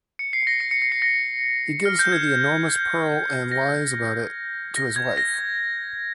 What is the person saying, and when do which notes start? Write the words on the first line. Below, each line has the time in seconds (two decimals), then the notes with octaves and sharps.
He gives her the enormous pearl and lies about it to his wife.
0.19 C#7
0.33 C7
0.47 A#6
0.60 C#7
0.71 C#7
0.82 C#7
0.92 C7
1.02 A#6
1.85 F6
1.99 G6
2.12 G#6
3.52 A#6
4.76 A#6
4.96 G#6
5.17 A#6